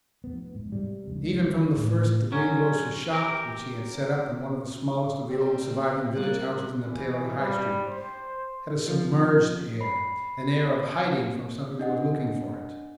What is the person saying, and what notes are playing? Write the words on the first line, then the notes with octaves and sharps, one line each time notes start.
Even from the first the green-grocer's shop which he had set up in one of the smallest of the old surviving village houses in the tail of the High Street had a submerged air, an air of hiding from something that was looking for it.
F1 B3
G#2
C3 G3
F1 C#2
D#3 G3
A2 C4 D4
F#3 C#4
G4 A#4
G3 C4
G3 A#3 F#6
E3
G3
C5
F3
B5 C7
D4 D#5 F#5